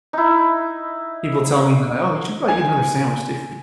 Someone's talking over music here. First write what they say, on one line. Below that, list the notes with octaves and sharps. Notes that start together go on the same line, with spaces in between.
People tell me they're like "Oh, you should probably eat another sandwich, dude."
D#4 E4
G#5